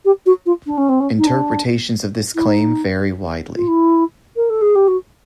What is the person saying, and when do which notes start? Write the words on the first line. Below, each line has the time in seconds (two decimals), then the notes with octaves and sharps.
Interpretations of this claim vary widely.
0.05 G4
0.26 F#4
0.46 F4
0.66 D4
0.77 C#4
0.89 C4
1.00 C#4
1.18 D#4
1.26 D4
2.35 E4
2.46 D#4
3.56 F4
3.67 E4
4.36 A#4
4.49 A4
4.61 G#4
4.75 G4
4.88 F#4